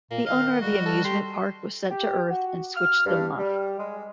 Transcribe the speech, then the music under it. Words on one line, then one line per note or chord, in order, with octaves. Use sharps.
The owner of the amusement park was sent to Earth and switched them off.
A#2 A#3
D#3 D#5 F5
G3 F#4
A4
G4 C6
G4
F#4
F6
G2
G3
G#3